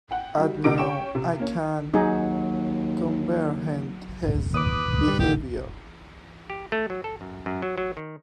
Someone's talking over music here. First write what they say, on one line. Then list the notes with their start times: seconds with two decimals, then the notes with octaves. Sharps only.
And now I can comprehend his behaviour.
0.11 F#5 G5
0.37 G3 F#4
0.64 D2 C3 D#4 A#4 D6 D7
0.78 C#4 G4 G5 C#6 E7
1.15 C3
1.39 A#3 C#4
1.94 D#2 F#3 D#4 G#4
4.54 D#2 B4 D6 D#6
5.08 G3
5.20 A#2 D3 G4
6.50 G4
6.72 A3
6.90 F#3
7.04 A4
7.21 F#2
7.46 F#2
7.62 F#3
7.78 F#3
7.97 D#3